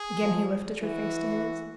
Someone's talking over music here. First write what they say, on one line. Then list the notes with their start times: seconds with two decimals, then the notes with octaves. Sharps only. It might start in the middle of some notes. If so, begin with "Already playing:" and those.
Again he lifted her face to his.
Already playing: G#4
0.22 F3
0.82 E3 F#4